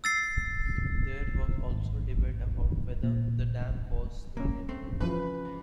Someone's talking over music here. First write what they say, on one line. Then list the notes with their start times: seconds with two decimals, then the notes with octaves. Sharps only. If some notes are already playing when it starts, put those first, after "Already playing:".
There was also debate about whether the dam was needed.
0.04 E6 A6 C7
1.71 G#1
3.03 A#2
4.37 G3 A#3 C#4
4.69 A3 C4 C5
5.00 C#3 E3 F3 B4
5.45 G#2